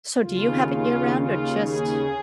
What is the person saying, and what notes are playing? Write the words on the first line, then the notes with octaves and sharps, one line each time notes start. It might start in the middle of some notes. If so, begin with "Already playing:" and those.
so do you have it year round, or just
D#2 C#3 F4
F4
F4
G#4